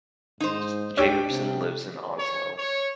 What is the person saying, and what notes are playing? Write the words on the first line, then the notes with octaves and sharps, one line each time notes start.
Jacobsen lives in Oslo.
G#2 D#4 C5
G#2 D4 G4 C#5 G5 E6
C3
C#5
C#5